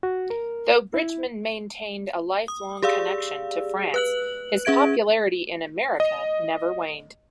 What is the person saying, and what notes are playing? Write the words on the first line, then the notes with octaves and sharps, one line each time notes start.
Though Bridgman maintained a lifelong connection to France, his popularity in America never waned.
F#4
A#4
E4
D#6
G4 G#4 D5 F5 E6
B4 F#6 F#7
C#4 G#4 E5 G#6 D7
D#5